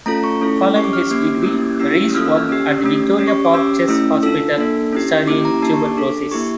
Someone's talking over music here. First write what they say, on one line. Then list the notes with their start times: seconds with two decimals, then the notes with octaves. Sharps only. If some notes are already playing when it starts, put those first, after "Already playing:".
Following his degree, Rees worked at the Victoria Park Chest Hospital, studying tuberculosis.
0.06 A3 C#4 F4 A4 A#5
0.24 C#6
0.41 A3 C#4 E4 A4
0.75 C#4 G4 C#6
0.84 D6
0.93 F6
1.11 A#3 C#4 G4 D6
1.45 A#3 C#4 E4 G4
1.80 C#4 E4 G4 E6
1.98 E6
2.14 A#3 C#4 F4 A4 F6
2.26 E6
2.37 F6
2.49 C#4 G4 E6
2.84 A3 C#4 G4
3.19 C#4 G4
3.27 C#6
3.45 D6
3.54 C#4 G4 E6
3.88 A3 C#4 E4 E6
4.23 D4 F4 A4 E6
4.58 A#3 D4 A4
4.92 C#4 E4 G4
5.27 A#3 C#4 E4 G4 D6
5.45 A#5
5.62 A#3 D4 G4 A5
5.74 C#6
5.85 D6
5.97 D4 A4 D6
6.31 A#3 E4 G4 C#6